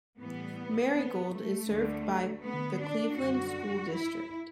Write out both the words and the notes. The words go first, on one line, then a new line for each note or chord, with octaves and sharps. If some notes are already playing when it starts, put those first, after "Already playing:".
Merigold is served by the Cleveland School District.
A2 E3 G3 B3
B3
A3
D2 D3 G3
B3
D4
F#2 D3 G3 F#4
E4